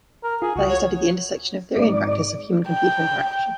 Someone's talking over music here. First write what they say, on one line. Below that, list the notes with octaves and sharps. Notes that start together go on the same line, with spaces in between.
There, he studied the intersection of theory and practice of human-computer interaction.
A#4
F4 G#4
C#2 F#4
F4 C#5
G#1 G#2 D5
G5